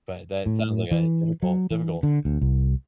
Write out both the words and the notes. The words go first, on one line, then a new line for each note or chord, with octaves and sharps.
but that sounds like a difficult, difficult
A2
E3
F#3
E3
D3
D2
C2